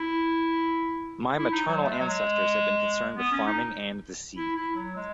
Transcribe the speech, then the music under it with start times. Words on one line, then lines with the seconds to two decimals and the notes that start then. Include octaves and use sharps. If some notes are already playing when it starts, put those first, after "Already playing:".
My maternal ancestors have been concerned with farming and the sea.
Already playing: E4
1.38 E4
1.52 D#4
1.67 F#3
1.83 A3
1.91 G#3
1.99 F#3
2.08 G#3
3.17 B3
3.32 C#4
3.47 D#4
4.36 E4
4.56 E4
4.76 F#3
4.96 G#3